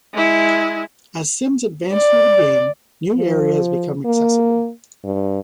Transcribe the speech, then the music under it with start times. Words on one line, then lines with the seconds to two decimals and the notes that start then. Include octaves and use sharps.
As Sims advance through the game, new areas become accessible.
0.14 G#3 E4
1.94 D5
3.16 F3
4.05 A#3
5.04 G2